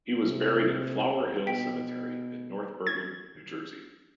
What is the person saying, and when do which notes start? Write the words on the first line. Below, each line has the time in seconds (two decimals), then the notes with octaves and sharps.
He was buried at Flower Hill Cemetery in North Bergen, New Jersey.
0.23 C3
1.47 B2 G5 B6
2.87 G#6